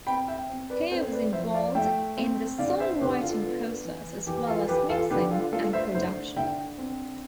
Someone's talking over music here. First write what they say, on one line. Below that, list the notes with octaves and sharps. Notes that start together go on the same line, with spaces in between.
He was involved in the songwriting process as well as mixing and production.
C4 G5 B5
E5 G5
C4
B4 D5
C4 A4 C5
B4 D5
F3 C5 E5
D5 F5
A3 E5 G5
C4
D3 D5 F5
C5 E5
D3 G4 B4
F4 A4
B3
E3
E3 G4
F4 A4
E3 G4 B4
F4 A4
D3 G4 B4
F4 A4
A3 F4 A4
C5 E5
D3 C5 E5
D3 E5 G5
C4